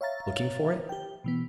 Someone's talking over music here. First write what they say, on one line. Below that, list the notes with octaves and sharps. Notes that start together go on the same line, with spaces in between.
"Looking for it?"
C#5 E5 F5 A#5 A6
G4 G5
B2 E3 B3